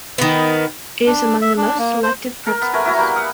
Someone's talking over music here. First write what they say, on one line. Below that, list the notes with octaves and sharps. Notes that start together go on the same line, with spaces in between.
It is among the most selective prep schools.
D#3 B3
D4
E5
D4
A#3
C5
A#4
B3
A3 A#4 B4 G#5
E4 F#4 A#5
G3 A#3 B3
D#5 F5 F#5